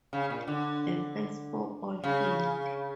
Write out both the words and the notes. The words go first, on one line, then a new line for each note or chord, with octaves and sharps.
The first four all failed.
C#3
A#2
D3
C#3